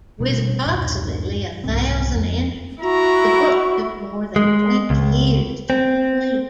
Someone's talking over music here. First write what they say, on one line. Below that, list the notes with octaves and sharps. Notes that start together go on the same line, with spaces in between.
With approximately a thousand entries, the book took more than twenty years to complete.
B2 G3 D4
G2 A#2
C2 G#2 C4
F2
E4 F#4 A#5
G#3
C#2
C4